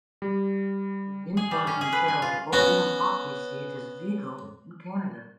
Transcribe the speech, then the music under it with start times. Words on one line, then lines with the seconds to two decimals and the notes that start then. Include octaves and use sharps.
The import and sale of opium poppy seeds is legal in Canada.
0.22 G3
1.37 G#4
1.51 G3
1.67 C#4
1.81 G#4
1.92 B4
2.08 G#5
2.22 F4
2.53 B3 C#4 F#4